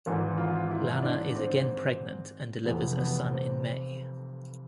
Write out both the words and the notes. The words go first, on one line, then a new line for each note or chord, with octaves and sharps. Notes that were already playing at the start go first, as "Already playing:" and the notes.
Lana is again pregnant and delivers a son in May.
G#1 G#2 E3
F4
E4
D4
C4
F1 F2 C3 E3 B3
B3
C4